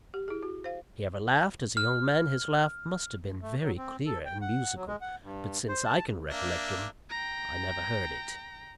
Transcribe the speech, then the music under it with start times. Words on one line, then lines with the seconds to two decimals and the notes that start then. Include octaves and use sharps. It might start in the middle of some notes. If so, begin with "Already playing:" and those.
If he ever laughed, as a young man, his laugh must have been very clear and musical; but since I can recollect him, I never heard it.
0.14 G4
0.28 E4 G#4
0.43 F#4
0.64 C5 F5
1.77 F6
3.42 A3
3.61 F#3
3.78 C4
4.06 A4
4.25 G5
4.41 F#5
4.76 F#3
4.87 G#3
5.01 F#5
5.23 G2
5.69 C5
5.85 A5
6.30 A#3 D4 E5
7.10 G5 A#5